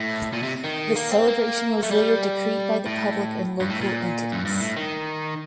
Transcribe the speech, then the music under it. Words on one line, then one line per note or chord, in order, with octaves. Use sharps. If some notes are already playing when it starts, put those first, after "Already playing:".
This celebration was later decried by the public and local entities.
Already playing: A2
A#2
C3
D#3
A#3
C4
A#3
A3
G3
A2
G2
A2
A#2
F#2
G2
A2
D#3